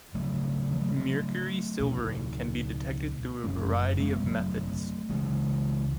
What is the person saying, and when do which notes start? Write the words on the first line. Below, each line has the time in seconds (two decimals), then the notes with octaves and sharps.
Mercury silvering can be detected through a variety of methods.
0.14 D2 C#3 F#3 A3
0.72 E3
0.81 F#3
0.88 G#3
0.96 F#3 A3
1.79 C#2 B2
3.44 F#1 F#2 D3 A3 C#4
3.99 G#3 B3
4.20 G#3
4.27 F#3 A3
5.09 C#2 C#3 E3 G#3